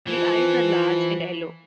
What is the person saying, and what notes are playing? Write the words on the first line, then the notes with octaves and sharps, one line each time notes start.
The eyes are large and yellow.
E3 F3